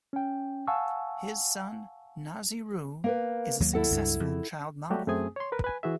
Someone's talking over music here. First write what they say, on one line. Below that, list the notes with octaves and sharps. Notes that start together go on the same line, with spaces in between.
His son, Nahzi Rue, is a successful child model.
C#4 G5
F5 F#5 G#5 A5 C#6 E6
A#3 A#4 B4
D#2 F#3 A#3
E4 A4 F#5
C#2 G2
F2 C#3
F#3 G3 A3 F#4 G4
F#2 A3 C4 G#4 G#5 D#6
C#5 C6
A#4 B4
B4 G#5
E3 F#4 G#4 E5